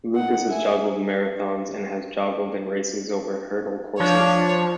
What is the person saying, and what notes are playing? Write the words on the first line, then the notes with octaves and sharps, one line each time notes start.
Lucas has joggled marathons, and has joggled in races over hurdle courses.
D#4 F#5
E5 G#5
F3 D4 C#5